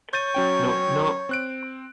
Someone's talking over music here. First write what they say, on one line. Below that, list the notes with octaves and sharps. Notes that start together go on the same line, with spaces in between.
Knock, knock.
C#5 G6 A6 D#7
F#3 C#4 G5
C4 F#6 D7